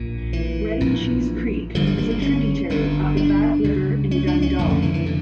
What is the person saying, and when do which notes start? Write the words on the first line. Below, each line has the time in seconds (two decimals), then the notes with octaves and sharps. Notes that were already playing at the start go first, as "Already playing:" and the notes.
Bread and Cheese Creek is a tributary of the Back River in Dundalk.
Already playing: A#1 A#2
0.33 E3
0.80 A#1 A#2
1.75 G1 G2 D3 F3
1.87 G3
1.98 A#3
2.10 A#3
2.22 C#4
2.70 G1 G2 D3
3.17 D4
3.64 C#2 C#3
4.11 C#4
4.27 D4
4.42 C#4
4.59 F1 F2 D3 A#3
4.70 A3
4.82 E3
4.94 E3
5.06 D3